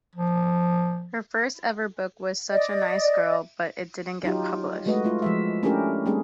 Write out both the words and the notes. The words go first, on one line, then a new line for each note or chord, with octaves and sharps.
Her first ever book was "Such a Nice Girl", but it didn't get published.
F3
D5 D#5
F#3 D#4 F4 G4
G#3 A3 F#4 B4 D#5
A3 E4 F4
F3 G#3 E5
A3 C#4 D4 E4 G4 A#4
G3 A3 C4 D4 G#4